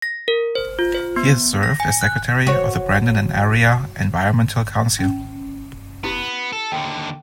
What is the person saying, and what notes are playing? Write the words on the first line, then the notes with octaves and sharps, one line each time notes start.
He has served as secretary of the Brandon and Area Environmental Council.
A#6
A#4
C5
F4
C5
B3
A#6
G#5
F#6
F#4 C#5
C#4
B3 E4 G4
A4
D#2 D3 G5